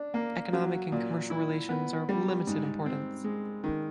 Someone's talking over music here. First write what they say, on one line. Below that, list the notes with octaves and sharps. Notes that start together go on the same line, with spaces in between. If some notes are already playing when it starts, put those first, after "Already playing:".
Economic and commercial relations are of limited importance.
Already playing: D4
A#3
F#3
A#2
E4
B3
G3
G#2
C4
G#3
D#3